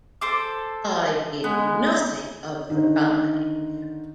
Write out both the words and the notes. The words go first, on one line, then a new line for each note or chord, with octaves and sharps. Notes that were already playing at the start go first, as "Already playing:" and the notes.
I did nothing of the kind.
A4 C5 D6
G#3 B3
D3 D#3 D#4